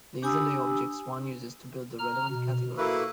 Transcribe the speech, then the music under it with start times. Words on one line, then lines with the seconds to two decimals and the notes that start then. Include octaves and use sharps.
These are the objects one uses to build the relevant categories.
0.22 D4 G4 G#5 B5 D#6 E6
1.99 A#5 F6
2.31 B2
2.78 A#3 E4 F#4 A4 B4